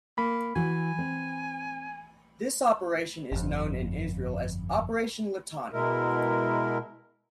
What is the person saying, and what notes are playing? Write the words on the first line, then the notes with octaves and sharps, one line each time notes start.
This operation is known in Israel as Operation Litani.
A#3 B5
E3 F#4 G#5
C4
G1 F2
B2 G#3 E4 A#4